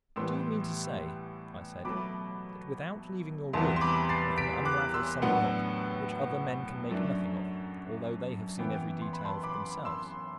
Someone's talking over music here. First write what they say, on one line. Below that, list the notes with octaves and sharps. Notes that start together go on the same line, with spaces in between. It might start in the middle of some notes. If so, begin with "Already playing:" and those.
"But do you mean to say," I said, "that without leaving your room you can unravel some knot which other men can make nothing of, although they have seen every detail for themselves?"
A2 E3 G3 B3 C6 E6
B2 F#3 A3 B5 D6
E2 C3 E3 G3 B3 A5 C6
C6
B5 D6
A6 C7
B6 D7
D6 F#6
C6 E6
A2 F#3 B3 D4 F#5
F#2 F#3 A3 D4
F#2 E3 B3 G5
C6
B5
A5 C6
B5 D6
C6 E6